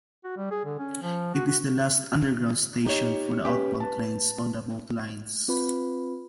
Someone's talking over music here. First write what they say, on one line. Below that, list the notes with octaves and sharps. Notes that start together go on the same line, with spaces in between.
It is the last underground station for outbound trains on both lines.
F#4
G3
G#4
D3
C#4
F3
F#4
F#4
D#4 G4 C#5
C#4 G4 B4
B4 A5
C4 F4 B4 B5